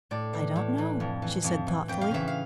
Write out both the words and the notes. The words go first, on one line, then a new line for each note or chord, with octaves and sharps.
"I don't know," she said thoughtfully.
A2 D5
E3
A2
E3
F2
E3
F2
E3
F2 G5
F5
C#3 E3 E5
F5